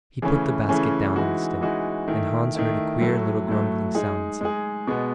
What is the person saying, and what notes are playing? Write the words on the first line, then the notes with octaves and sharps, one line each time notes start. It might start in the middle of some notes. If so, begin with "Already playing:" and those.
He put the basket down on the step, and Hans heard a queer little grumbling sound inside.
C#3 E3 A3 C#4
C#3 E3 A3 C#4
E3 G#3 D#4 F#4
E3 G#3 D#4 F#4
D#3 A3 E4
D#3 A3 E4
A2 F#3 A3
A2 F#3 A3
G#3 D#4 G#4
G#3 D#4 G#4
B2 G#3 B3